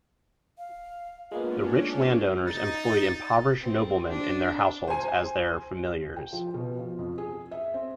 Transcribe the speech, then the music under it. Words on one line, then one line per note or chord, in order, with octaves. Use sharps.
The rich landowners employed impoverished noblemen in their households as their "familiares".
F5
G#3 A#3 B3 C#4 D4 F4
D#4 A6
C4
D4
C5 G#5
G5
F3
B2
F3
F2
G#4
E5
C4